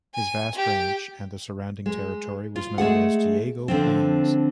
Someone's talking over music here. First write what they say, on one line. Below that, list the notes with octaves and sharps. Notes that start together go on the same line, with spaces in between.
His vast ranch and the surrounding territory was known as Diego Plains.
G#5
G4
G#3
F4
G#3 A3 G#4 F#5
D3 F3 C4